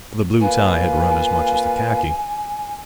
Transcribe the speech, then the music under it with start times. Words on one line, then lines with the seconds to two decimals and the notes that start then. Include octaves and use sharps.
The blue tie had run as much as the khaki.
0.41 A#3 F4 B4 G#5